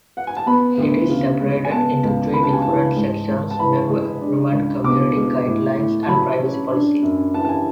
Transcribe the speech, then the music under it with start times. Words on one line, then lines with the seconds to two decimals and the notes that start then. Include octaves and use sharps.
It is separated into three different sections: "Member Agreement", "Community Guidelines" and "Privacy Policy".
0.17 F#5
0.27 G#5
0.36 A5
0.46 B3 B5
0.77 D2
1.09 C#3
1.40 G#3
1.65 G#5
1.71 B3 A5
2.03 C#2
2.33 C#3 B5
2.43 A5
2.53 G#5
2.62 E3 A5
2.96 G#2
3.28 G#2
3.51 A5
3.58 E3 B5
3.90 G#3
4.21 D4
4.52 C#2
4.84 B2 D6
5.15 G#3
5.46 A2
5.77 A2
6.03 A5
6.08 F#3 B5
6.41 C#4
6.71 D4
7.02 F#2
7.33 E3 A5
7.45 A5
7.49 G#5